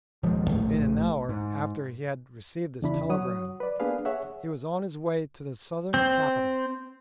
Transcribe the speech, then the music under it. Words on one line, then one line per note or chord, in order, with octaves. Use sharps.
In an hour after he had received his telegram he was on his way to the Southern capital.
D#1 F3 G#3
A#1 A2 A3
G#2
E2 C#3 D4 E4 B5
F#3 C#5 F#5 D#6
B4 D5
A#3 B3 D4 G#4 B4 F5
G#4 C#5 E5 F#5
C4